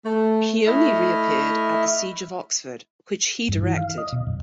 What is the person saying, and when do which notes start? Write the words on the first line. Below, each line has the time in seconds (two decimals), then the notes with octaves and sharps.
He only reappeared at the siege of Oxford, which he directed.
0.05 A3
0.67 A3 E4 D#5 E5 F6
3.49 G2
3.63 E3
3.77 F5
3.98 D#5
4.12 B2
4.27 F#2